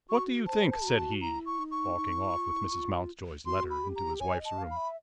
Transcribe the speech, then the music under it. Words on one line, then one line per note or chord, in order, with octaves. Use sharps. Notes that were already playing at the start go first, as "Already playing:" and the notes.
"What do you think?" said he, walking off with Mrs. Mountjoy's letter into his wife's room.
F#4 C#6
C5 A5
A5
F#4 A#5
A5
E4 A#5
C#6
D#4
C#6
D#4
E4
F4
E4
F4
F#4 C6
B5
G4
A#5
C#5 G#5
D#5
A5
F5
B5
E5